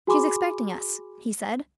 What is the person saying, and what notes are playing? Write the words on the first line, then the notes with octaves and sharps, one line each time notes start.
"She is expecting us," he said.
F#4 G#4 G#5 B5 C6 D6